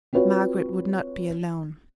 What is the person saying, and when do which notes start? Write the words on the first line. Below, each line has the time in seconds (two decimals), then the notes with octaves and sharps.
Margaret would not be alone.
0.13 C4 F4 F#4 B4 C#5